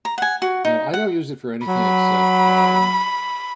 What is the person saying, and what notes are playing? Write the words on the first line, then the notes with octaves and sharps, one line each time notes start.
No, I don't use it for anything except, um,
A#5
F#5 G#5
F#4
D#4
F#5
F#3 B5